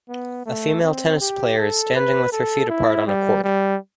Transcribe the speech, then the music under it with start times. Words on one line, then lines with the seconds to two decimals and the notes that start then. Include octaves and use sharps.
A female tennis player is standing with her feet apart on a court.
0.09 B3
0.46 A3
0.83 C4
1.21 G4
1.58 A4
1.95 B4
2.32 A4
2.70 E4
3.07 G3
3.44 G3